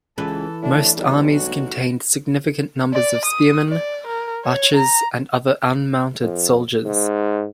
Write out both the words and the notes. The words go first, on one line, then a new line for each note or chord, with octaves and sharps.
Most armies contained significant numbers of spearmen, archers and other unmounted soldiers.
C#2 E3 A4 B4
A2 D4
B1 G3
F#4
D5
D#6
D5
A#4
C#5
A#5
F2
G#2